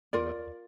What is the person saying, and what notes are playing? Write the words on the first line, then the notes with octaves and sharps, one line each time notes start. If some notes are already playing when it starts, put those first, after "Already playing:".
you know?
F4 A#4 D5